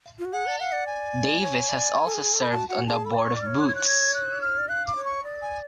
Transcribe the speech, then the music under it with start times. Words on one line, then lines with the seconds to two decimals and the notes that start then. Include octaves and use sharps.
Davis has also served on the board of Boots.
0.19 F4
0.25 F#4
0.32 G#4 F#5
0.46 D5
0.60 F5 F#5
0.73 D5
0.87 G#5
1.42 C#5
1.69 D5
2.05 A4
2.14 G#4
2.32 A4
2.41 B5
2.51 F#4 A5
2.69 F#4 F#5
2.87 G#4 A5
3.05 A4 B5
3.13 D5
3.19 C#5 C#6
3.33 D5 D6
3.41 F6
3.46 C#5
3.60 F#6
3.67 G#6
3.75 F#6
3.87 G#6
4.14 F#6
4.41 F6
4.59 D5
4.69 F5 F#6
4.87 D6
4.96 C#5
5.05 C#6
5.23 D5
5.42 G#5